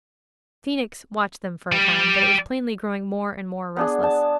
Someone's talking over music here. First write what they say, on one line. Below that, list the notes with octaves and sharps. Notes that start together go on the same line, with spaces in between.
The Phoenix watched them for a time, but it was plainly growing more and more restless.
G3 G4
B3 D4 G#4
A5